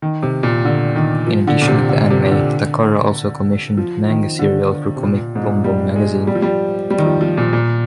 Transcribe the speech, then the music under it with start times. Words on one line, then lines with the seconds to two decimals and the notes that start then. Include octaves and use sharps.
In addition to the anime, Takara also commissioned manga serial for Comic BomBom magazine.
0.02 D#3
0.23 C3
0.43 A#2
0.65 D3
0.95 D#3
1.27 F3
1.47 D3
1.61 A#2
1.68 C3
1.89 D3
2.10 C3
2.31 D3
3.77 F3
4.09 D#3
4.39 D3
4.96 C3
5.03 A#2
5.36 G#2
5.44 A#2
5.64 G3
5.96 G#3
6.27 G3
6.35 F3
6.42 G3
6.91 G3
6.99 D#3
7.06 F3
7.21 F3
7.37 A#2
7.53 A#2